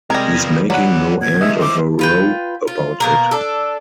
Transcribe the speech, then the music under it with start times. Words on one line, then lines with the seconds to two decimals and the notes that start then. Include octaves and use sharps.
He's making no end of a row about it.
0.10 C3 G3 G#3 A#4 G#6 A#6
0.35 B3 F4
0.70 F3 F#3 D5 F#5 B5
1.21 A#2 G#6
1.41 E2 G2 D#5 E5
1.61 E3 C5 D6
1.99 F4 B4 G5
2.67 F4
3.00 B2 A#3 A#4
3.31 D4 A4